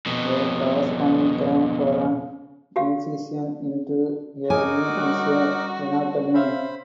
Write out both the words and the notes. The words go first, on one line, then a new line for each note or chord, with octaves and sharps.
The corresponding term for an incision into a vein is a venotomy.
F2 B2
F#4 G4 F5
D#4 F#4 A#4 G#5 D6
G3 C#4 F#6
C#4 C5 E5 F5 B5